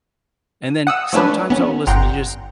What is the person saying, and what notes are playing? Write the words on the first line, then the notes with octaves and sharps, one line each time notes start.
And then sometimes I'll listen to just,
F#5 D#6 E6
F3 A3 C#4 D4 B4
B3 C#4
G1 F#5 G5 A#5 C6